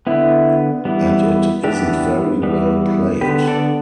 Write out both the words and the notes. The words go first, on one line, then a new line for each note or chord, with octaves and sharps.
And it isn't very well played.
D3 B3 E4
E3 G3 B3
E3 B3 D4 G4
E3 G3 B3
D3 B3 G4 B4
A4 D5